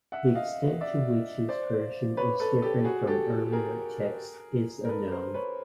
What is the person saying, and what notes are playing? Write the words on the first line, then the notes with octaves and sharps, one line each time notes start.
The extent to which his version is different from earlier texts is unknown.
E5 F#5
D#5 F5
D5 E5
C5 D5
B4 C#5
A4 B4
G4 A4
F#4 G#4
G4 A4
G#4 A#4
A#4
A4 B4
A#4 C5
B4 C#5